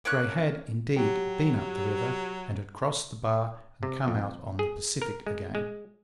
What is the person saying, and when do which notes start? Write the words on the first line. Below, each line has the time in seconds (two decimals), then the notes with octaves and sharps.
Gray had, indeed, been up the river, and had crossed the bar and come out on the Pacific again.
0.05 A#3 C#4 F#6
0.96 F#3 G4
3.83 C3
4.08 F2
4.59 G#4
5.02 A#4
5.27 G#3
5.55 G#3